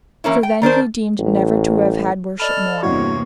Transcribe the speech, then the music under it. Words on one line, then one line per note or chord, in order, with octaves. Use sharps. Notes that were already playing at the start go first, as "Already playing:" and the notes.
For then he deemed never to have had worship more.
E3 A#3 C#4 E4
G5
D#3 D4 A#4 C5
A1
A4 D5 D#5 B5 F6
E2 G2 C3 A#3 E4 F#4 C#5